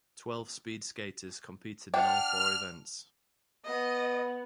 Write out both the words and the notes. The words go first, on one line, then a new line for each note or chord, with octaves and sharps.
Twelve speed skaters competed in all four events.
D4 F#5 G5 F6
B3 D#5